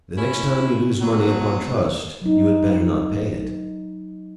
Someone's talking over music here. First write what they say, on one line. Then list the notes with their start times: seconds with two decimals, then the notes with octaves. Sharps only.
"The next time you lose money upon trust, you had better not pay it."
0.18 C#4 E4
1.01 B2 F#3
2.22 F#3 D#4